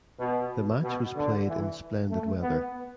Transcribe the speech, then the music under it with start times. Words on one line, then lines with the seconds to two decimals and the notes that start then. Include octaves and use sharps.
The match was played in splendid weather.
0.19 B2
0.83 B2
1.15 D3
1.47 E3
2.10 A3
2.42 B3